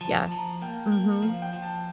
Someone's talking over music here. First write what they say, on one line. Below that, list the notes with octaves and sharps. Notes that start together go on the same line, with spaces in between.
Yes. Mhm.
F3 A5
A5
F3 A#5
A#3 G5
A#3
F3 F5
G5
F3
A5